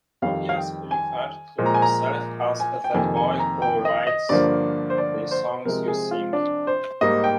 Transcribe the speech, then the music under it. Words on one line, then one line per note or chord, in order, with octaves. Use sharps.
Tobias referred to himself as the boy who writes the songs you sing.
F2 D#3 G3 F5
F5
G5
G#5
A#2 F3 G#3
A#5
G#5
A#5
G#5
G5
F2 C3 D#3 A#3 G#5
G#5
A#5
G5
D#5
D#5
G2 D3 F3 A#3 D5
C5
D5
C5
C3 F3 G#3 C4 A#4
G#4
F4
D4
C5
G#2 G3 A#3 D#5
G5